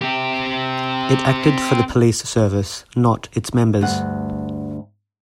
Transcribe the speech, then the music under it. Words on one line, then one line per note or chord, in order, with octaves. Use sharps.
It acted for the police service, not its members.
C4 G4
D2 G2 F#5